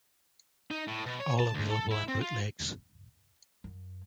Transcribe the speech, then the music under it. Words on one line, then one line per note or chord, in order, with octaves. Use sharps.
All available in bootlegs.
D#4
A2
B2
C#5
A5
D2
A4
E4
C4
F4
F#2